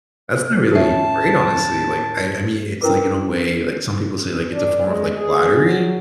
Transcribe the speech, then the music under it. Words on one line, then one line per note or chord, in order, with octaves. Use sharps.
that's not really great, honestly. Like, I I mean, it's, in a way, like, some people say, like, it's a form of, like, flattery,
D#2 A2 C#4 E5 A5
C#4 E4 A#4 B4 D6
D4
G#3
G#4
F#3